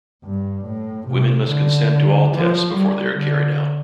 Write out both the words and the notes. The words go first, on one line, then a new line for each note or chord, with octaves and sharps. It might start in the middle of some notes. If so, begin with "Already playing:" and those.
Women must consent to all tests before they are carried out.
G2
A2
C3
D3
F3
G3
D3